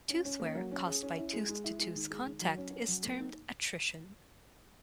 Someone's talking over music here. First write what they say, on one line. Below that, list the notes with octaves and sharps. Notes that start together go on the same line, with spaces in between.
Tooth wear caused by tooth-to-tooth contact is termed attrition.
C#4
C#4
A#3
F#3
C#4
G#4
C#4
E4
G#3
G#3
E4
G#3
D#3
G#3
D#3
F#3
C#4
C#4
F#3
A#3
D#4